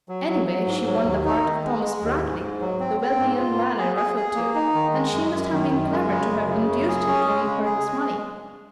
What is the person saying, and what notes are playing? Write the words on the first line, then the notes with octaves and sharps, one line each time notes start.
Anyway, she won the heart of Thomas Bradley, the wealthy young man I referred to, and she must have been clever to have induced him to leave her his money.
F#3
F#3
F#3
G#2
F#3
D#2
D#4
D#3
G#3
G#3
D#2
G#2
G#2
F#3
C4
C4
G#2
F4
A#3
G#4
G#4
G#4
A#3
D#4
D#3
G#3
F#2
F#2
D#3
F#2
G#3
C#3
F#2
C#3
F#2
G#4
C#4
G#3
C#3
G#4
G#3